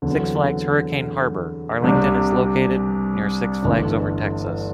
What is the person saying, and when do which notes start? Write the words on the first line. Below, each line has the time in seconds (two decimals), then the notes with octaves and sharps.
Six Flags Hurricane Harbor, Arlington is located near Six Flags Over Texas.
0.02 E2 D3 F#3 C4
1.82 C2 C3 G3 D4
3.63 G1 G2 E3 A3 D4